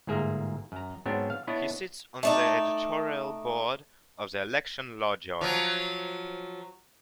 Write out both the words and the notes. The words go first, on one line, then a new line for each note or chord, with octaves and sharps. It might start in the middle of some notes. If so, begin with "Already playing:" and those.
He sits on the editorial board of the "Election Law Journal".
G1 G#2 A#3 G#4 E5 A#5
F#2 A#5
G#2 F#3 B3 C4 D4
F5
B3 D4 E4 B4 C#5 D#5
A3 D4 D#4
F3 F#3